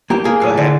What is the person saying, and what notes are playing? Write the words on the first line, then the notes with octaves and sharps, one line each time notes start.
Go ahead.
A#3 G4
A#3 G#4
A2
D3